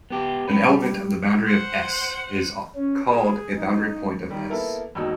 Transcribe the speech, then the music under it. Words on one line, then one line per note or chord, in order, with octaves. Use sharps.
An element of the boundary of "S" is called a boundary point of "S".
B3 G4
C#4 B4
G3
C5 F#5
C#4
G#4
D#4
D#3 G3
A#3 B3 E4 A4 A#4
E1 D#2 D#4 F#4 D#5 E6